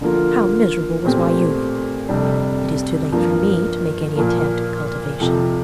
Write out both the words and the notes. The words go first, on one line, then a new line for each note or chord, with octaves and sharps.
How miserable was my youth! It is too late for me to make any attempt at cultivation.
D3 F3 A#3 F4
A#2 A3 C4 G4
F2 C3 G3 D4
G2 F3 A#3
A#2 F3 A#3
F2 C3 F3